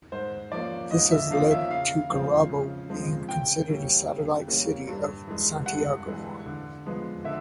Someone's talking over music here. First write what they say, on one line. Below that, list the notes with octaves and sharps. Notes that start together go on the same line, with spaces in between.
This has led to Gurabo being considered a satellite city of Santiago.
G#2 C5
F3 A#3 C#4 D5
G#2 D#5
E5
F3 A#3 C#4 F5
E5
C#3 F5
F3 G#3 C4
C#3
F3 G#3 C4
C#3 G5
E3 G3 A#3 C#4
C#3
E3 G3 A#3 C#4
G2
E3 G#3
G2 F#5
E3 G#3
D3
F3 G#3 B3
D3 E5